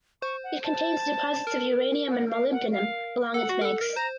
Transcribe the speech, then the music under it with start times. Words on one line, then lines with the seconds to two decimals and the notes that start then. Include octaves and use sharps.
It contains deposits of uranium and molybdenum along its banks.
0.22 C5 C#6
0.44 F#5
0.64 A5
1.47 A#4
2.10 F#5
2.30 F5
2.51 F#5
2.72 F5
3.34 A4 F#5
3.49 F#4
3.61 A#4
3.65 A4
3.81 A#4
3.96 C5 A#5